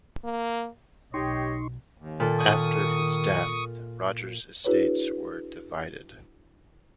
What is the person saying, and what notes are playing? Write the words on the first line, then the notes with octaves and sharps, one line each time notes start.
After his death, Roger's estates were divided.
A#3
B1 D#4 G4 C#5 D#5 C6 C#6
D#2
A#2 D#3 A4
C#6 D#6
D4 E4 F#4 G#4 B4 C#5